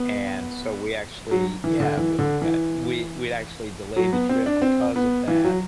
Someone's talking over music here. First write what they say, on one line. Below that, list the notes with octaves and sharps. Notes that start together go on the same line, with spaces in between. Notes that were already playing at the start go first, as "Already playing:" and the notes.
and so we actually yeah, but yeah, we we actually delayed the trip because of that.
Already playing: B3
F#3
E3
D3
E3
D3
E3
F#3
B3
C4
D4
C4
B3
E3
F#3